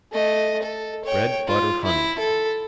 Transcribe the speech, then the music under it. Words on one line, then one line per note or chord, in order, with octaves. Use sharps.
Bread, butter, honey.
A3 D#5
A4
C#5 G5
F4
E4
A4